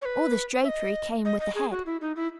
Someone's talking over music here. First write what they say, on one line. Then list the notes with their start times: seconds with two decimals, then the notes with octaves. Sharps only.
All this drapery came with the head.
0.02 C#5
0.05 B4
0.64 E5
0.68 D#5
1.25 D#5
1.40 D#5
1.55 G#4
1.71 F#4
1.86 E4
2.02 D#4
2.16 E4